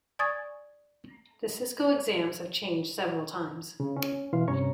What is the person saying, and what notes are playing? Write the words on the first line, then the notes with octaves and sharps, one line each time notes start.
The Cisco exams have changed several times.
D5 G#5 C#6 D#6 G#6 A6
C#3
C#4
B2 E3 F5 C6
G2 C3 C#4 C#5 A#5 C#6